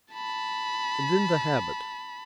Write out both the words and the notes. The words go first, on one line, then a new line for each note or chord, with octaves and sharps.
And then the habit!
A5 B5